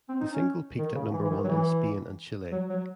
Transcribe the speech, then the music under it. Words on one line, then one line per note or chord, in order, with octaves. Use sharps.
The single peaked at number one in Spain and Chile.
C4
D#4
C#4
D#3
C#3
E3
E3
D#3
F#3
E3
F#3
F#3